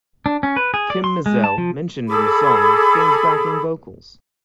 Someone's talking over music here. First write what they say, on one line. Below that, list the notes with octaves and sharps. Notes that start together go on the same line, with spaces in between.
Kym Mazelle, mentioned in the song, sings backing vocals.
D4
C#4
B4
G#4
D5
C6
G#3
A5
F3
G#4 A4 B5 D6